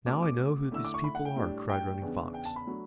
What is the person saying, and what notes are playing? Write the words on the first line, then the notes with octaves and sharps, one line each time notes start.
"Now I know who these people are," cried Running Fox.
B2 A3 C#4 D6
D6
D3 A3 E4 E6
D6
C#6
B5
F#5
G5
A2 G3 D4
G5
E2 C#3 E3 B3 D4
G5
A5
B5
F#3 A3 D4